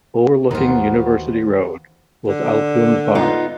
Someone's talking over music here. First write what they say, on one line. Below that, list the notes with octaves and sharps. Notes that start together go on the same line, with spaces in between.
Overlooking University Road was Alcuin's bar.
D#2 D#3 E3 B3 F4 F#4 A#4 C5
D3
B3 D#4 F4